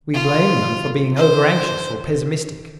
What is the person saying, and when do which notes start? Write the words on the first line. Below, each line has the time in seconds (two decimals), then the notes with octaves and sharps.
We blame them for being over-anxious or pessimistic.
0.14 F4
1.17 C5